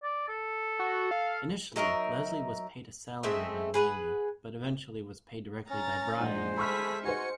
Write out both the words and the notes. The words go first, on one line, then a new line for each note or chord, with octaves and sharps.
Initially, Leslie was paid salary by Landy, but was eventually paid directly by Brian.
D5
A4
F#4
F5
F#3 D#4 A#4 E5
G#3 A3 C4 E5
G#4 B4 F#5
C#4 A#5 A6
A#1 G#3 D#4 C5 F#5
G#4 A4 E5 B5 C#6 F6 B6
D#4 F#4 G#4 C5 G#5 C#7